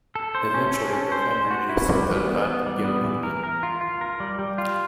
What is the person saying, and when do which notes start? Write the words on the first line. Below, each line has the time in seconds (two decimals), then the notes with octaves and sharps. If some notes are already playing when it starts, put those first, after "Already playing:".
Eventually the family settled at Gmunden.
0.15 A4
0.35 C5
0.54 C#4
0.74 A4
0.93 C#4
1.12 C5
1.31 C5
1.51 F#4
1.69 E4
1.88 G3
2.08 E3
2.27 B3
2.47 B3
2.66 G3
2.85 B3
3.05 E3
3.23 A#4
3.44 A#4
3.63 F4
3.81 F4
4.01 A#4
4.20 G3
4.39 G3
4.58 F4